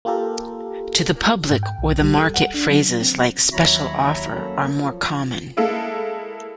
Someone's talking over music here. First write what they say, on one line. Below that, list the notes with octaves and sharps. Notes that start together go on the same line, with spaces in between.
To the public or the market, phrases like "special offer" are more common.
A#3 F4 G4 A4 A#4
G#2
G5
B1
G3
A4
F#5
D4
F#3
C4
D#2 F#3 E4 C#5 A#5 B5
F#3 A#3 C#4 A4
F3
G#3 A#3 E4 A4